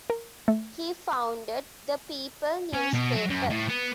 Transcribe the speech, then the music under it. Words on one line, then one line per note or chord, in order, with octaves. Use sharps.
He founded "The People" newspaper.
A#4
A3
C#4
B2
F#3
F#2
A2
B3